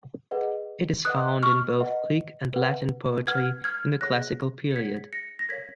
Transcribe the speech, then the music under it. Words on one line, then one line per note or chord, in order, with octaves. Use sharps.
It is found in both Greek and Latin poetry in the classical period.
G#4 B4 D#5 F#5
B4 D#5 F#5 D#6 F#6
C#6 F6
B4 D#5 F#5
B4 F#5
B4 F#5 F6 G#6
F6 G#6
G#4 C#5 F#5 F#6 A#6
C#7
G#4 C#5 F#5 G#6 B6
A#6 C#7
A#6
A#4 C#5 F5 G#6 B6